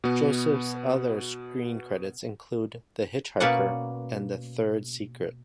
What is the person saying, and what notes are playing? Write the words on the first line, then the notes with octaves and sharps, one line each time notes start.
Joseph's other screen credits include "The Hitch-Hiker" and "The Third Secret".
B2 B3
B2 A#3 C#4 B4 D5 F#5